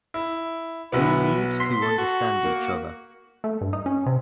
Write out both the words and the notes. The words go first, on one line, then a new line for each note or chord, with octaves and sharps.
We need to understand each other.
E4
B1 B3 E4
C6 B6
A4
F#4
A#3
A3
G2
D#4
C#4
C3